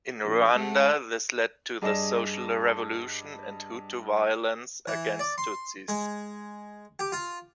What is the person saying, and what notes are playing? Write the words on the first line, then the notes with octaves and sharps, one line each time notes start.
In Rwanda, this led to the "Social revolution" and Hutu violence against Tutsis.
A#1
G#3 A3 F#5
G2 G#4 D5 D#5 A#6 E7
E3
D5
C6
G#3
G4
F4